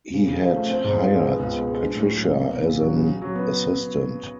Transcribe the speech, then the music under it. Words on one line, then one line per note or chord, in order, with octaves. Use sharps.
He had hired Patricia as an assistant.
C#3
C#3
F3
A3
C4
G#2
F3
G#3
B3
C#2
B2
G#3
D4
A2
F#3
A#3
B3
C2
A#2
F#3
C#3
C#3
F#3
B3